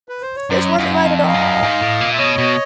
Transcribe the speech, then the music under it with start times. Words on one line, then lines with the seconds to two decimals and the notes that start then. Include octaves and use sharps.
This wasn’t right at all.
0.09 B4
0.22 C5
0.36 C#5
0.50 F#2 C5 D5
0.64 C#5 D#5
0.73 E5
0.78 F#2 D#5 F5
0.93 F#5
1.04 F2 F5
1.16 E5
1.27 D#5 F5
1.34 F#2
1.63 G#2
1.81 A2
2.01 A#2
2.13 E5
2.19 B2 C#5 D#5
2.38 B2